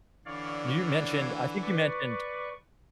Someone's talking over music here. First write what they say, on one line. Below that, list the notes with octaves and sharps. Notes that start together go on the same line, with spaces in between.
You mentioned, I think you mentioned
D3 E3 C#5 D5 F5
B4 D5 C#6